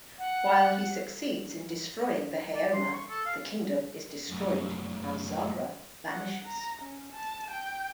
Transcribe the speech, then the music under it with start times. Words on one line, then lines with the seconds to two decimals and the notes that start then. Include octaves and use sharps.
While he succeeds in destroying the Haoma, the kingdom is destroyed and Zahra vanishes.
0.18 F#5
2.55 D5
2.73 C6
2.93 C#6
3.10 A4
3.25 F5
4.30 F#2 A2
6.09 F#5
6.45 A#5
6.82 C#4
7.13 A5
7.51 G5